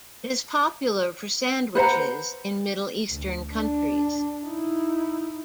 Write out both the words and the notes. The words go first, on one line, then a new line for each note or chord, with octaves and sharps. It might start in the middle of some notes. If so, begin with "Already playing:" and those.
It is popular for sandwiches in Middle Eastern countries.
B4 C5 F#5 A#5
D2
D4
D#4 E4